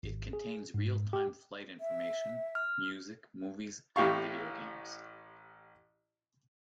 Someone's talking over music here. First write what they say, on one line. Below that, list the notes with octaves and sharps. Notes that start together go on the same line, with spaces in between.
It contains real-time flight information, music, movies and video games.
G#1
G#4
G#2
G4
E5
F6
A1 A2 G4 F5 C#6